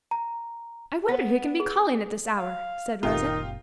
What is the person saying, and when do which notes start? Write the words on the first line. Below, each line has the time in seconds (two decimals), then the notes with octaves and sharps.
"I wonder who can be calling at this hour," said Rosa.
0.11 A#5
1.08 B3
1.60 G#4
2.37 F5
3.03 F#1 A#2 D#3 C4 D#4 F4 G4